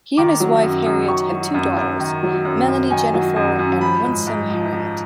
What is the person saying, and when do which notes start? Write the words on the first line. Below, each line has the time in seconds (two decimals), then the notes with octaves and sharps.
He and his wife Harriet have two daughters, Melanie Jennifer and Wynsome Harriet.
0.17 D#3 D6
0.40 F#3
0.63 F#2
0.86 F#2
1.08 D#3 C#6
1.32 F#3
1.54 F#2
1.77 F#2
2.00 D#3
2.23 F#3
2.45 F#2
2.68 F#2
2.90 D#3 G#5
3.14 F#3
3.36 F#2
3.59 F#2
3.81 F3 B5
4.04 G#2
4.27 G#2
4.50 F3
4.72 F3